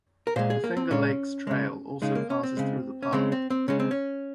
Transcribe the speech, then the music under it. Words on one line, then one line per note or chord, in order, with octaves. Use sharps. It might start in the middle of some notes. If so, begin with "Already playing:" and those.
The Finger Lakes Trail also passes through the park.
A#4
A#2 G#3 C5
G#4
A#3
C4
A#2 G#3 C#4
C#3 G#3
C#3 G#3 D#4
A#3
C#4
C4
C#3 G#3
C#4
C#3 G#3 C4
C4
C4
C#3 G#3 C#4
C4
C#4